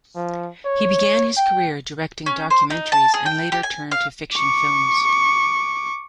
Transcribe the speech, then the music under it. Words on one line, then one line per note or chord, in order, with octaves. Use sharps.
He began his career directing documentaries and later turned to fiction films.
F3
C#5
G5
C#4
C5
D#4
A5
G#4
G5
G4
G#5
F5
C#6 D6